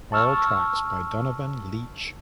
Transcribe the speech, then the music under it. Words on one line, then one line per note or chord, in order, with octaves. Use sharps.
All tracks by Donovan Leitch.
A5 C#6 E6 F6